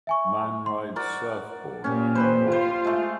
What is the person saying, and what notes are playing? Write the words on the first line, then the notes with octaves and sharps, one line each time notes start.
Man rides surfboard through water.
E5 G#5 C#6
C6
F#4 A#4 D5
A#2 C#4 G4
G4 B4 C5
F4 C5
G#3 A3